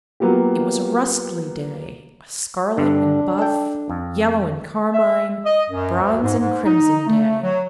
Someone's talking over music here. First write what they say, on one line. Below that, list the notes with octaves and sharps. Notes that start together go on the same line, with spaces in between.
It was a rustly day, a scarlet and buff, yellow and carmine, bronze and crimson day.
F#3 A#3 B3 F4 G4
G2 D3 D4
A4 G5
F2
E5
D#5
F#2
D2
G#2
G#2
D#4
A3
F#3